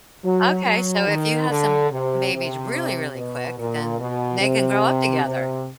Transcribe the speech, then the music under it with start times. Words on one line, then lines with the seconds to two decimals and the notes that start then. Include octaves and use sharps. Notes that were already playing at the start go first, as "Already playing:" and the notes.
okay, so if you have some babies really, really quick, then they can grow up together.
0.24 F#3
0.65 F#3
1.07 D#3
1.49 D3
1.91 C3
2.33 C3
3.15 B2
3.58 A#2
3.99 B2
4.41 C3
5.24 C3